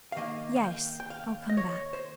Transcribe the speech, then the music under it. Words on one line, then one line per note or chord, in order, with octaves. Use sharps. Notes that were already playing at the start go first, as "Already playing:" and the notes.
"Yes--I'll come back."
F5
D#3 A#3 D#5
F5
G5
G5
F5
D#5
C#5
C5